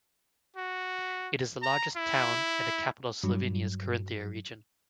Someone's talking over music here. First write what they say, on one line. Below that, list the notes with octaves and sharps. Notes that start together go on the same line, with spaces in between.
It is the largest town and the capital of Slovenia's Carinthia region.
F#4
A#5
E4
G2 F#3